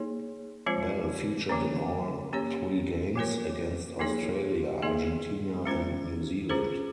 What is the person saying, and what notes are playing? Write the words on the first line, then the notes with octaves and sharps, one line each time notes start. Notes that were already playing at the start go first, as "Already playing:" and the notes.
Bell featured in all three games, against Australia, Argentina and New Zealand.
Already playing: A#3 D#4 G#4 C#5
F3 G#3 C4 F4 C5
F3 A#3 C#4
A#3 C#4 G4 C#5
F3 A#3 F4 A#4 C#5
F3 A#3 D#4 G#4 C#5
A#3 D#4 G#4
G#3 C#4 F4 C5
C#4 F4 G#4 C5